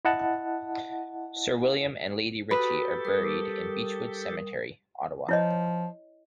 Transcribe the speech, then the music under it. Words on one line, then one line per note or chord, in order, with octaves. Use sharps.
Sir William and Lady Ritchie are buried in Beechwood Cemetery, Ottawa.
E4 D#5 F#5 A5
F#4 G4 A4 B4 D#6
G3 A#4 D#6
F3 E4 C#5 D#5